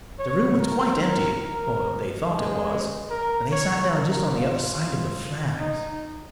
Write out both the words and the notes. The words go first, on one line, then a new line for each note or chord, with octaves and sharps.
The room was quite empty, or they thought it was, and they sat down just on the other side of the flags.
C#5
A#4
A#4
A#4
G#3
A#4
C#5
A#4
F4
D#4